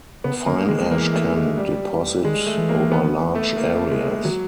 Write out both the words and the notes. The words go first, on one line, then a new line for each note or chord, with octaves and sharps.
Fine ash can deposit over large areas.
C#3 B3
D3 A#3
D#3 G#3
E3 A#3
A3
G#3
G3
D#3 G#3
A3
E3
A#3
B3
A3
A#3
G#3
D#3 F#3